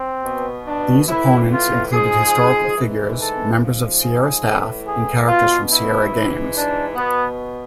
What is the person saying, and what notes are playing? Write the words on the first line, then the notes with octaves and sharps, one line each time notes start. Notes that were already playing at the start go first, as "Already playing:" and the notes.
These opponents included historical figures, members of Sierra staff, and characters from Sierra games.
Already playing: C4
B2
D4
A2 E3 E4
F4
G#2 F3 G#4
G#2 E3
A4
G#2 F3
G#4
A2 E3
G#4
B2 F4
E4
G#2 E3
D4
B2 B3